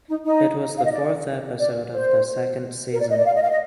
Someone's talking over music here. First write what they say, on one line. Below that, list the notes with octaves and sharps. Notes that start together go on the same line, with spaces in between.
It was the fourth episode of the second season.
D#4
D#4
F5
D#5
D5
D5
C5
A#4
D5
D#5
D5
F5
D#5
F5
D#5